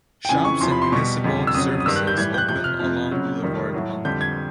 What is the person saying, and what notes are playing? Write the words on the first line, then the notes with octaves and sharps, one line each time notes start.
Shops and municipal services opened along Boulevard Monk.
G5
F2 C#3 E3 G#5
C#6
E2 C3 F3 C6
B5
C6
B2 G3 C#6
F2 D3 G3
E6
F2 C#3 F#3 D#6
D#6
G2 D#3 G3 E6
F#6
G6
A2 E3 G3 G#6
G6
F#6
F2 C3 F3 G6
F6
F2 C3 F3 F6
F2 C#3 F#3
F2 C3 D#3 G3
A2 F#3
F2 D3 G3 G6
G#6